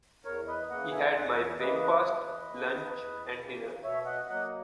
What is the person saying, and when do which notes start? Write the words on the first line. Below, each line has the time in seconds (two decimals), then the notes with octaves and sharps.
He had my breakfast, lunch and dinner.
0.25 E2 A#4 C#5
0.47 B4 D#5
0.69 C#3 E3 A#3 D#5 F#5
0.91 E5 G#5
1.14 E2 D#5 F#5
1.28 F#5
1.36 C#5 E5
1.59 C#3 E3 A#3 B4 D#5
1.81 B4 D#5
2.04 E2
2.50 C#3 E3 A#3
2.94 E2
3.39 C#3 E3 A#3
3.83 B2 C#5 E5
4.05 D#5 F#5
4.28 F#3 A#3 D#5 F#5